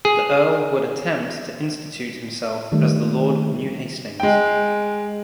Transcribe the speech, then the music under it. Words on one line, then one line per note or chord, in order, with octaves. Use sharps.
The Earl would attempt to institute himself as the Lord of New Hastings.
G#4
D#3 G3 A3
G#3 G5